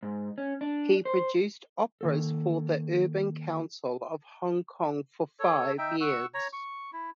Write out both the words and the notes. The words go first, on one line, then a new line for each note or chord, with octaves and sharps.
He produced operas for the Urban Council of Hong Kong for five years.
G#2
C#4
D4
C5
D#3 A#3 A4
A4 C#5
D#4 E5 G5
F#5 C#6 E6
C#5 A#5
C#6
E4